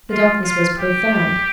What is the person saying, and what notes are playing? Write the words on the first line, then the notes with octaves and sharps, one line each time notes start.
The darkness was profound.
F4
F4
G4